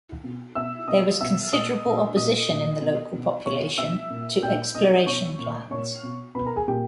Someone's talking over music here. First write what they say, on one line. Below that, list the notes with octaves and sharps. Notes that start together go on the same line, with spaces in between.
There was considerable opposition in the local population to exploration plans.
B2
B2 E5 E6
B2 D#5 D#6
B2 E5 E6
A#2 D#5 D#6
A#2
A#2 D#5 D#6
A#2
B2
B2
B2 C#5 C#6
B2 E5 E6
A#2
A#2 G5 G6
B2 D#5 D#6
B2 C#5 C#6
A#2
A#2 C#5 C#6
B2
B2 B4 B5
A#4 A#5
G#4 G#5
A#2 G4 G5